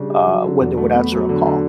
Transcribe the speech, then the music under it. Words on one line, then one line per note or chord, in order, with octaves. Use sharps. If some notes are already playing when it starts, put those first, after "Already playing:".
uh, when they would answer a call.
Already playing: C#3 G3 D4
G4
F#3
D3
E2
A3
B3
F#3
D3
D3